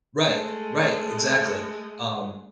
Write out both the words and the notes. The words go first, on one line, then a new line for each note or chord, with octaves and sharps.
Right, right, exactly, um
G#3 A3 A4